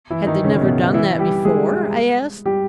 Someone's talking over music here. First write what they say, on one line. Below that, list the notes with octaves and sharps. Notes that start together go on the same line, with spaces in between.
"Had they never done that before?" I asked.
E3 E4
D#3 D#4
C#3 C#4
B2 B3
E3 E4
G3 G4
G#3 G#4
G3 G4